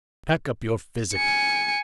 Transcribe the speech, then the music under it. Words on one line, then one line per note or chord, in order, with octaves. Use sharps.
Pack up your physic.
G#5 C#7